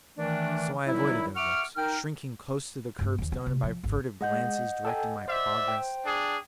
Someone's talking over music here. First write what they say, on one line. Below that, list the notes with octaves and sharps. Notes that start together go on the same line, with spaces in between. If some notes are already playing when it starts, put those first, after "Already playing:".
So I avoided their looks, shrinking close to the kerbstone and by furtive glances directing my progress.
D#3 E3 A3 D4
D#3 F#3 G3 D#4 E4
E5 F#5 C#6 D6 F6
D#4 A#4 G5 F6
G2 A3
D#2 E3
B3
C3
F3
G#1 E2
G#3 D#5 F#5 G6
A4 G5 G#5
C5 D5 E5
G5
D4 G#4